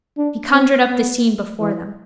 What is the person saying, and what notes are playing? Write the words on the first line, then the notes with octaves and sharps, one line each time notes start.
He conjured up the scene before them.
D4
C4
B3
E3